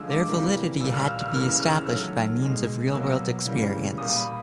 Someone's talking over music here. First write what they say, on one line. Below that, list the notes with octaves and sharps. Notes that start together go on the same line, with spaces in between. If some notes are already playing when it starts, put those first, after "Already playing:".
Their validity had to be established by means of real-world experience.
Already playing: D3 F3 G#3 E6
D6
C3 E3 G3 A#3
A#2 G3 A#3 E6
F6
E6
F6
C#3 E3 G3 A#3 F6
E6
F6
E6
D#3 F#3 A3 F6
B2 G#3
B2 F#3 A#3 E6
C#3 E3 G3 A#3
A#2 G3 A#3 D#6
B5